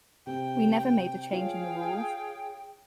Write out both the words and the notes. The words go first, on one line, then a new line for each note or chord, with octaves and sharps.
We never made a change in the rules.
C3 G5
F4 G#4 C#5 F5 G5